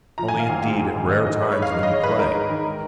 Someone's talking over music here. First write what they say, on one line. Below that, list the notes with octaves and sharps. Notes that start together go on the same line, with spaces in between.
Only indeed at rare times when you play.
F3 A#5
G#1 G#5
F5
G#1
G#2
F3
G#1
G#1 D#5
G#2 D#5
G#3 B4
C#5
G#2 F5
G#2 D#5
D#5
D#3
C#5
G#3 B4
G#2 A#4
G#2
D#3
G#3